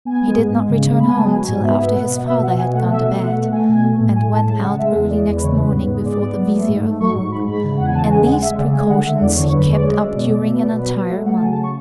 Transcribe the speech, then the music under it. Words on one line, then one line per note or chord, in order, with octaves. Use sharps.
He did not return home till after his father had gone to bed, and went out early next morning before the vizir awoke, and these precautions he kept up during an entire month.
B3 G#5
G#3
G#2
G#3
C#3
C#3
B3 B5
G#5
G#3 A5
F#3 G#5
G#2 G#5
B3 E5
B3 E5
B2 F#5
B2
B2 E5
B2 F#5
B2 G#5
A3 F#5
B2 E5
B2
A3 F#5
A3
A3 G#5
B2 G#5
A3
A2
A2 G#5
A2 A5
G#3 A5
C#3 F#5
G#3 E5
E2
G#3 D5
E2
B4
C#3 C#5
B3 B4
G#2
G#3
G#2 D5
B3
F#3
A3
G#2
A3
F#3 C#6
G#2
G#2 B5
G#2 B5
C#3
E2 F#5
G#5
C#3 A5
G#3 G#5
G#3 F#5
G#3 E5
C#3 D5
G#3 G#5
D3 F#5
D3 E5
E2 D5
D3 C#5
C#5
F#2 B4
G#3 D5
G#3 C#5
F#2 E5
B2 D5
B2 D5
B3 E5
B2 D5
F#3 B4
F#3
A3 E5
F#3 F#5
A5
C#3 G#5
A5
C#6